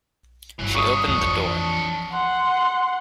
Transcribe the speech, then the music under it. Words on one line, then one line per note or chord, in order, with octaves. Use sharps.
She opened the door.
G1 E3 F#3
D4 C#5 C#6 D#6
F2 E3
F#5 C6